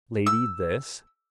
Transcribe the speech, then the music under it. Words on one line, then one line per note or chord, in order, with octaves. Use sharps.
Lady this.
E6